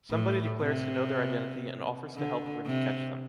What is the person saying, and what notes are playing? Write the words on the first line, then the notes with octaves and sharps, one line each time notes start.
Somebody declares to know their identity and offers to help Ric catch them.
A2
C3
D3
C3